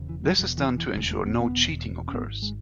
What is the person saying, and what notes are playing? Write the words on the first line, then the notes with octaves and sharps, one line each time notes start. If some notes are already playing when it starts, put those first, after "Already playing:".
This is done to ensure no cheating occurs.
Already playing: E1 E2 C#3
E3
F#3
E1 E2 B2 F#3
E3
E3
E1 D#2 C#3 G#3
A3
B3
B3
E1 E2 B2
C#4
G#1 G#2 B3
G#3